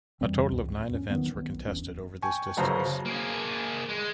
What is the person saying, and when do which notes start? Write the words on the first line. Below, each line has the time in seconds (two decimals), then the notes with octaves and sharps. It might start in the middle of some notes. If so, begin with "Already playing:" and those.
A total of nine events were contested over this distance.
0.21 F2 E3 G3 C4
0.52 C#2 G#2
0.91 E2 C#4
1.10 D#3 F#3 B3
1.35 B1
1.67 D#1 E2 C#4
2.22 G5 G#5 C#6
2.57 G1 F#2 C#3 F#3 C5
3.06 A#3 G#4
3.89 G#3